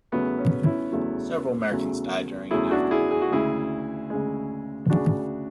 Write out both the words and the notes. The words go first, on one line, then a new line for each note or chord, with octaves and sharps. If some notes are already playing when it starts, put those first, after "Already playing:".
Several Americans died during and after the raid.
E2 C#3 F#3 A3 B3
C#4
C#4 E4
E2 C#3 F#3 A3
E2 C#3 F#3 A3
E2 C#3 F#3 A3 E4 G#4
D4 F#4
E4 G#4
G#4
F#4
D2 C#3 G#3 E4 G#4
D2 C#3 G#3
D2 C#3 G#3 D4 F#4